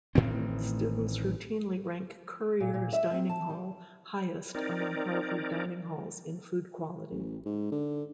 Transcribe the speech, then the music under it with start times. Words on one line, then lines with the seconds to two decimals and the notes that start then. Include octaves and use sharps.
Students routinely rank Currier's dining hall highest among Harvard dining halls in food quality.
0.15 A1 A2 D#3 C4
2.60 A#2
2.74 A#2
2.93 E5
3.11 C4
3.29 A5
3.49 G3
4.55 C4 D#4 A#4 D5
7.11 A1
7.45 G#2
7.71 D3